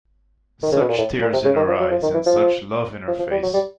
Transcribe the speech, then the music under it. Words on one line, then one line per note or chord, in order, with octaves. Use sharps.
Such tears in her eyes, and such love in her face.
D#3
C#3
B2
A#2
A2
A#2
C3
C#3
D#3
F3
F#3
F3
D#3
E3
F3
F3
F3
G3
F#3
G3